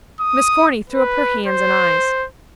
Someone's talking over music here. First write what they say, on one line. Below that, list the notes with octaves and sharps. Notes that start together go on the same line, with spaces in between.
Miss Corny threw up her hands and eyes.
D#6
B4
C5